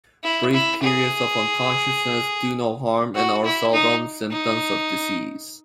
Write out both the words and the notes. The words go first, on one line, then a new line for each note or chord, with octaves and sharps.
Brief periods of unconsciousness do no harm and are seldom symptoms of disease.
E4
E4
G#4
F#4
E4
D#4
D#4